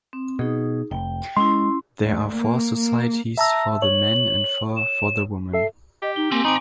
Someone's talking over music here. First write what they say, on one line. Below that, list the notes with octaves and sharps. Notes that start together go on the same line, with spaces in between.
There are four societies for the men and four for the women.
C4
B2 D#4 G#4
F1 G5
G#3 C#4 E4 C6
D2
A#3
A#3
E5 A5 A#5 E6
C#5 F#7
E7
A4 E5 C7
G4 D#5
D#4 G7
A#3 C4 G#5 C6
C4 D#4 G#5 A#5 B5 D6 D7